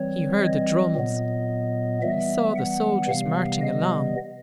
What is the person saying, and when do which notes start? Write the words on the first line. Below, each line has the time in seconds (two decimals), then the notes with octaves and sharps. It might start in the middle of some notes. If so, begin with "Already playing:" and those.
He heard the drums, he saw the soldiers marching along.
Already playing: E3 G3 C4 C#5
0.41 D#5
0.95 A#2 F#3 B3
2.02 E3 G3 B3 E5
2.56 F#5
3.09 C3 E3 G3 B3 F5
3.61 D#5